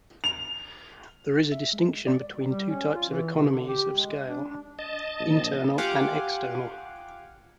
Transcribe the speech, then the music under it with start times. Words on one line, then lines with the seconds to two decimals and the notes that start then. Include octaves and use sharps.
There is a distinction between two types of economies of scale: internal and external.
0.24 F7
1.52 E5
1.73 G#3
2.07 D5
2.49 G3
2.70 C#4
2.95 F4
3.09 E3
3.35 C3
3.51 D3
3.68 G4
3.93 G#3
4.26 D4
4.50 D4
4.79 D#5 A5
5.19 A#1
5.78 F4 G4 F5 F#5 G#5 D6